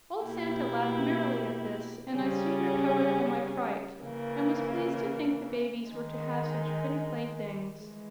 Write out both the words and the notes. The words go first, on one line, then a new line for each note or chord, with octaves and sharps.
Old Santa laughed merrily at this, and I soon recovered from my fright and was pleased to think the babies were to have such pretty playthings.
B2 A#3 E4 G4
C#3 G3 C#4 G#4
C#3 E3 A#3
D#3 G#3 D#4
E3 G#3